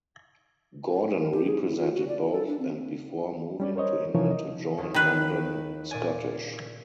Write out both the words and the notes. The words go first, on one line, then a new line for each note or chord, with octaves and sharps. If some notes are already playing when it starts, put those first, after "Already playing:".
Gordon represented both and before moving to England to join London Scottish.
A#4
G4
G#4
E4
F4
F#4
D5
E4
A4
D4
C4
G3 C#4 D5
A#4 C5 C#5 D#5
C3 E3 F3 D#4 A#4 C#5
D#5
D#2 C#4
D#3 D#4 B4
A#2 D5 G#5